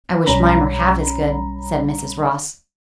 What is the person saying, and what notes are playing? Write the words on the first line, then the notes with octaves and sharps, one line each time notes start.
"I wish mine were half as good," said Mrs. Ross.
B1 G3 C#4 A#5 B5